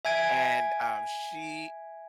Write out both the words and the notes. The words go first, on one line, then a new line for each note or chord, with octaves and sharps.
and, um, she
E5 G#5 G#6 D7